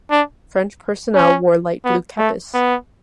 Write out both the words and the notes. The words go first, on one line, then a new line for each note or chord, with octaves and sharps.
French personnel wore light blue kepis.
D4
C#4
B3
A3
B3